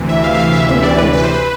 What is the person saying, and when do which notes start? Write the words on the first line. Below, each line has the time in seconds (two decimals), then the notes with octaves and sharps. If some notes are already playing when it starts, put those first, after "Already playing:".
In the Govt.
Already playing: D2 C3 E3
0.09 E5
0.24 F5
0.34 E5
0.39 F5
0.53 E5
0.68 E5
0.83 D5
0.98 B4
1.13 B4
1.23 C5
1.34 B4